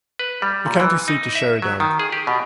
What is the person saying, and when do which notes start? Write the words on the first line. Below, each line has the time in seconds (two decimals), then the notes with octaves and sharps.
The county seat is Sheridan.
0.19 B4
0.42 G3
0.66 A#2
0.80 E3
1.08 D#4
1.35 E5
1.62 F#3
1.80 D#3
1.99 G#4
2.12 G4
2.27 B2